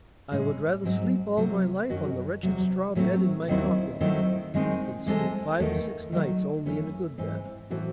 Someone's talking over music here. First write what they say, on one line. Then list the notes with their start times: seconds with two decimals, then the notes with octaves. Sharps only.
I would rather sleep all my life on the wretched straw bed in my cock-loft, than sleep five or six nights only in a good bed.
0.32 A2 G#3 C#4
0.84 G#2 F#3 C4
1.37 C3 F#3 A3
1.90 F#2 D#3 F#3 C#4 F#4
2.43 E2 C3 F#3
2.95 A2 F#3 A3 C4
3.48 D#2 D#3 F#3 C4 E4
4.00 D#3 F#3 A3 C4 E4
4.54 D#3 G#3 C4 D#4
5.06 E3 G#3 C4 E4 A4
5.59 E2 D#3 A3 D#4 A4
6.12 D#3 F#3 A3
6.66 F#2 E3 A3 C#4
7.18 G#2 E3 C4
7.70 A2 E3 C4 F#4 A4